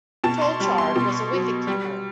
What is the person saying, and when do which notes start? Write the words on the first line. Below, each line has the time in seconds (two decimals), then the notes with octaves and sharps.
Tolchard was a wicket-keeper.
0.24 B2 A5
0.42 C6
0.60 G3
0.78 C6
0.96 B2
1.32 F#3
1.67 G3